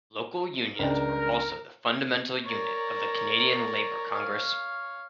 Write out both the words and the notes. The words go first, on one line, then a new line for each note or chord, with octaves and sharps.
Local unions are also the fundamental unit of the Canadian Labour Congress.
C#2 D4 A#4 G5
A#4 C#5 D5 A#5
C#5 F5